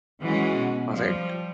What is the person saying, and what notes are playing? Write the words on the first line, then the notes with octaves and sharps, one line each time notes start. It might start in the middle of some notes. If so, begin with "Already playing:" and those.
I was like
E3 G#3 C#4 F#4
B2
F3 G3